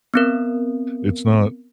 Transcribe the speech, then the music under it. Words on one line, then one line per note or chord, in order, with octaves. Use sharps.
It's not,
B3 C4 A#4